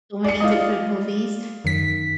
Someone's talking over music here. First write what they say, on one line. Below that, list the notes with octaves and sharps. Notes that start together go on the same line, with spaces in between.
so many different movies,
D5 C#7
F4 D#5
F#2 D#3 B6